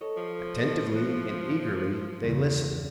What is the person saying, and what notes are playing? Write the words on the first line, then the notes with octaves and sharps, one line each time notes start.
Attentively and eagerly they listened.
A4 C#5 D#5
F3 F6 C7
A4 C#5 D#5
E5 F#6 C#7
E2 G2 C#3